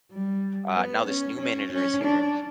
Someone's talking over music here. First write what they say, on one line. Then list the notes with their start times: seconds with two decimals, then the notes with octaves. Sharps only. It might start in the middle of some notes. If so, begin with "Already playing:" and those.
uh, now this new manager is here,
0.12 G3
0.76 B3
1.08 C#4
1.40 C#4
1.72 C#4
2.04 D4